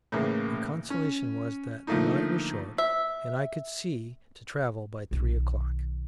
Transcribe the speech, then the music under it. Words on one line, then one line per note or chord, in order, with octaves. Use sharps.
My consolation was that the night was short and I could see to travel by three o'clock.
A2 C#3 E3 A#3
C#4
D3 F3 A3 A#3 D#4
E5
B1 D#3